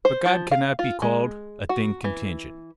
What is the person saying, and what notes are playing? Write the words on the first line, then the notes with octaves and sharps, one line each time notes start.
But God cannot be called a thing contingent.
C5
F3
F5
F4
G#3
F#4
E3